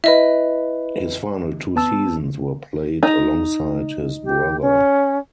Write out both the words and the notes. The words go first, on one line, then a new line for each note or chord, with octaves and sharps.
His final two seasons were played alongside his brother.
E4 B4 D#5 E5
B3 A5 E6
D#4
G4
C#4